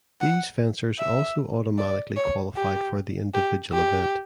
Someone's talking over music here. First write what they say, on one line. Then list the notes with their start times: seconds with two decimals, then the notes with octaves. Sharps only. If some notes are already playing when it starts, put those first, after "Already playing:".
These fencers also automatically qualified for the individual event.
0.21 F#5
0.99 E5
1.78 D5
2.16 C#5
2.56 G4
3.34 G4
3.73 G4